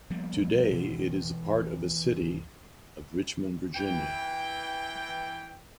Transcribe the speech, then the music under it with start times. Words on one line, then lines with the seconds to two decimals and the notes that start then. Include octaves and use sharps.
Today, it is a part of the city of Richmond, Virginia.
0.10 F3 G3 A#3 B3
0.71 B2 E3
3.75 E3 G5